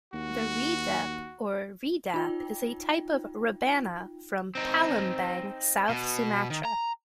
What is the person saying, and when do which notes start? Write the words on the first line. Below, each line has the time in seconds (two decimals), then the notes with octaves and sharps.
The redep or redap is a type of rebana from Palembang, South Sumatra.
0.13 D#2 F#4
2.14 D#4 F4 G5
4.55 C4 D#4
5.89 B2
6.50 D#3
6.65 A#5